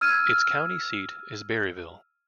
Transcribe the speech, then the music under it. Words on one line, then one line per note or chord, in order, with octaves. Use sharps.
Its county seat is Berryville.
E6 F6 G#6 D#7